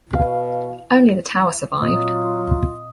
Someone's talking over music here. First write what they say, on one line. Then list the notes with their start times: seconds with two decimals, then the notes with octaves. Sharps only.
Only the tower survived.
0.15 B2 F5
1.82 A#2 F#3 C4 F4 D#5 D#6